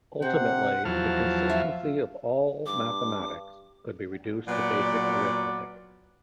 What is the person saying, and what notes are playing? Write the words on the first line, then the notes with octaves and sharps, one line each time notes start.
Ultimately, the consistency of all of mathematics could be reduced to basic arithmetic.
C3 C4 F#5
E2 F3 F#3 F5 A5
F4 E5
G2 D6
A#2 F#3 B3 D5